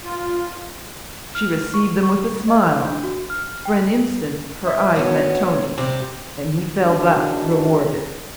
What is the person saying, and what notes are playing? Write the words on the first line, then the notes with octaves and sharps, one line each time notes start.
She received them with a smile; for an instant her eyes met Tony's, and he fell back, rewarded.
F4
F6
C#6
C#6
D#5
D4
F#4
F6
G5
E5
D2 B3 C#5
C3 G3 G4
F#2 G#3 D4 E4 F#4